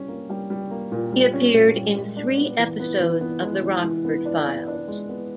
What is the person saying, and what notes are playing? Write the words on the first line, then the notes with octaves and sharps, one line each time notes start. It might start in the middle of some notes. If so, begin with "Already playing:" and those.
He appeared in three episodes of "The Rockford Files".
Already playing: G3 C#4
A#3
G3
G3
A#3
A#2
G3
C#4
A#2
G3
G#3
D4
B3
E3
B3
E3
B3
G#3
E3
E3
B3
D4
B3
D4
G#3
B3